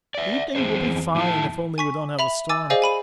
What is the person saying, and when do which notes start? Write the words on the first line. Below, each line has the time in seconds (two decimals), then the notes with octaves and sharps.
The evening will be fine, if only we don't have a storm.
0.15 D5 E5
0.55 E2 C4 G#4 C5 C#5
1.15 E2 A2 D#3 E4 A5
1.78 G#5 C#6 B6
2.19 E5 B5 F7
2.49 G#5 D6 E6 A6
2.70 G#4 C5 D5 D#5 F5 G#5
2.82 G#5 B5 D#7